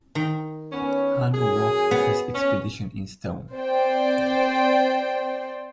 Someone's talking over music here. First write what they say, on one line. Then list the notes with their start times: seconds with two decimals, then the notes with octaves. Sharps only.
Hannu wrote of his expedition in stone.
0.15 D#3
0.72 B3 C#4
1.33 F#2 G#4 G#5
1.91 B3
2.33 C#4
3.53 C4 C5 D5 G5